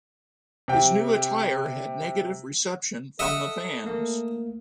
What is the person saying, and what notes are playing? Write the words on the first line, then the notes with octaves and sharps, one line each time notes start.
His new attire had negative reception from the fans.
C3 G5
A4 D#5 E5 F#5
A3 A#3 A#4